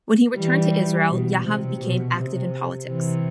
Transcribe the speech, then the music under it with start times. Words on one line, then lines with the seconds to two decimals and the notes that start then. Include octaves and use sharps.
When he returned to Israel, Yahav became active in politics.
0.36 E3 G3
1.08 B2
1.44 C3
1.80 B2
2.16 C3
2.88 C3 E3